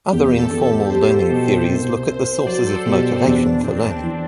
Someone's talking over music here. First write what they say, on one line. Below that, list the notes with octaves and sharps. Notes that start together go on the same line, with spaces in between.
Other informal learning theories look at the sources of motivation for learning.
E2 G4
A4
E2
A4
G3 C5
B2
C2
C4
F#3 D5
A4
B2 G4
C4
E2 D4
E2 C4
D4
E3